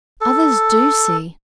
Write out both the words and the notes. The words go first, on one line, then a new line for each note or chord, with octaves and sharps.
Others do see!
A4